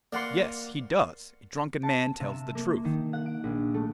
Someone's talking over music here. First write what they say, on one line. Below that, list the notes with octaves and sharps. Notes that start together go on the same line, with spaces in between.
"Yes, he does, a drunken man tells the truth."
A#3 D5 F#5 C6
A5
C3
E7
A#3
D#3
F#5
D7
A#1
A3